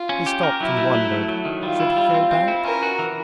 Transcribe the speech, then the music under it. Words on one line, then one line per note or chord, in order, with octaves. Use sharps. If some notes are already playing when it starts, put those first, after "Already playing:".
He stopped and wondered--should he go back?
Already playing: F4
C#4
G4
A#4
F#3 E4
A3
A3
F#3
F#3
D#3
G3 F4
E4
G3
C4
C4
E4
C#4 A#4
F#4
E3